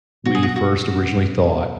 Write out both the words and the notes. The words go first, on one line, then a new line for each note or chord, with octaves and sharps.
we first originally thought,
B2 F#3 B3 F#4
G#4
F#4
F#4